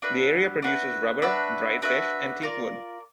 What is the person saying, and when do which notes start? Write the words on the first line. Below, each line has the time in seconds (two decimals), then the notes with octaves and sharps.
The area produces rubber, dried fish, and teakwood.
0.02 D4 F#4 B4 E5
0.62 D4 F#4 B4 E5
1.22 D4 F#4 B4 E5
1.82 D4 F#4 B4 E5
2.42 F4 A#4 D5